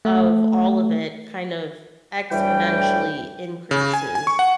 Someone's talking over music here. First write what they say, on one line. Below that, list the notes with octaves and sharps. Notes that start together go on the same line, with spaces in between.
of all of it kind of exponentially increases.
A3
D2 A2 E3 G3 G5
C#3
G#5
G#5
C#6
F#5